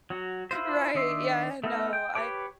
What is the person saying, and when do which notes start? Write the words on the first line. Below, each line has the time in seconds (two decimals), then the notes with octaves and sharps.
Right, Yeah, no, I
0.10 F#3 F#4
0.51 E4 F4 C5
0.95 D#3 D4 D#5 E5 C6
1.64 A3 B3 D#4 A4 A#4
1.93 G5
2.15 G4 B4 C#5 D6